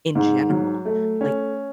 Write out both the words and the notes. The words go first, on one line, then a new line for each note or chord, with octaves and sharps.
in general. Like,
G#2
F#3
A3
C#4